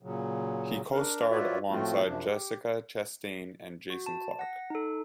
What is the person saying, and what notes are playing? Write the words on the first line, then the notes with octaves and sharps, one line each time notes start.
He co-starred alongside Jessica Chastain and Jason Clarke.
A#2 C#3 F#3
D4 A#4
F4 F#4 B4 C#5 D5 E5
A2 F3 A3 C4 F4 F#4
F#2 C3 F3 D4
G4
F#4
A5
F#5 A#6
D#4 A4